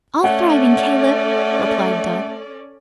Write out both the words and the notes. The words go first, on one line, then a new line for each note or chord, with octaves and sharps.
"All thriving, Caleb," replied Dot.
A3 C#4 A4 D5 F#5